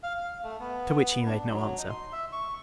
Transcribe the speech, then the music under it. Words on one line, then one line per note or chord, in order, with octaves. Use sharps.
To which he made no answer.
F5
F5
A3
B3
D4
F#3
D#4
C6
E5
C#6